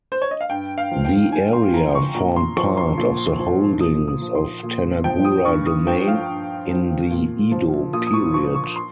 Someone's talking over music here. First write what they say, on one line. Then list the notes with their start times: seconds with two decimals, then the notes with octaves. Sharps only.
The area formed part of the holdings of Tanagura Domain, in the Edo period.
0.12 C5
0.22 C#5
0.31 D#5
0.41 F5
0.50 G2 G5
0.78 F5
0.91 F3
1.05 G5
1.32 G2 G#5
1.53 C6
1.74 F3 A#5
1.95 C#6
2.15 A#2 A#5
2.36 C6
2.57 F3 C#6
2.77 C6
2.98 A#2
3.39 F3
3.80 A#2 D#6
4.08 D#6
4.22 F3
4.35 C6
4.63 A#2
5.04 F3 G5
5.25 D#6
5.45 G2 C#6
5.66 D#6
5.87 F3 G5
6.08 F5
6.28 G2
6.69 F3
7.11 A#2
7.52 F3
7.93 A#2 D#6
8.07 D#6
8.13 C#6
8.34 F3 C#6
8.55 C#6
8.76 C6